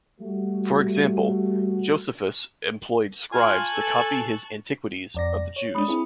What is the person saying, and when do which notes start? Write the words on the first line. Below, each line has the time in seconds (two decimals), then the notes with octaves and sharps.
For example, Josephus employed scribes to copy his Antiquities of the Jews.
0.20 G3 A3 F#4
3.33 F4 G#5 A5 C#6 F#6
3.75 A4
5.14 F2 D5 A#6
5.56 C#5
5.75 G#3 D4 B5 D#6
5.88 C4 E4 G#4